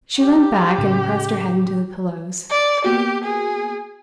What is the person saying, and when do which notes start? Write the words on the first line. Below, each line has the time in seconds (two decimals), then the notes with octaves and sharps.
She leant back and pressed her head into the pillows.
0.19 G4
0.78 A2 C#3
2.51 D5
2.84 A#3 B3 F#4 G4
3.23 G#4